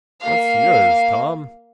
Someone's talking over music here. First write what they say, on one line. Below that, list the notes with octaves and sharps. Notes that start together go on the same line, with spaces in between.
What's yours, Tom?
A#3 F5